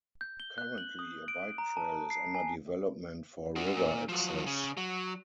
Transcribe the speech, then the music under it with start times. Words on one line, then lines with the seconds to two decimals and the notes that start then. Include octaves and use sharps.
Currently a bike trail is under development for river access.
0.21 G6
0.40 G7
0.58 F#6
0.78 F#7
0.99 D#6
1.28 D7
1.58 A#5
1.77 A5
2.10 C7
2.35 G#5
3.56 D4 F#4
3.76 A#2
4.09 F3 F#3
4.46 C#3
4.77 F#3